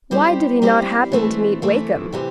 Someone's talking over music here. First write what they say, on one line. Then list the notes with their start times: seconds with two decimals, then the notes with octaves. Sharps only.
Why did he not happen to meet Wakem?
0.11 G3 C4 E4 G4 C5
0.62 G3 C4 E4 G4 C5
1.12 E3 A3 C4 E4
1.62 E3 A3 C4 E4
2.12 C3 E3 C4 G4